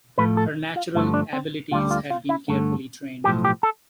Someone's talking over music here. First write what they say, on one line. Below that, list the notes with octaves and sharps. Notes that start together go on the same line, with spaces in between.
Her natural abilities had been carefully trained.
A2 F3 A3 B4
A4
F4
G2 D3 F3 A3 E4
D4
C4
D2 D3 G3 F4
F4
F4
E4
G2 D3 A3
B1 A2 F3 G4
G4
A4